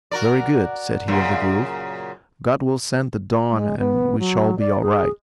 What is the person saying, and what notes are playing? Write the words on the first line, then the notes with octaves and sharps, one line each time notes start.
"Very good," said he of the Grove; "God will send the dawn and we shall be all right."
F#4 A#4 D5
F#2 A#2 C#3
G#3
B3
F#3
D5
G#4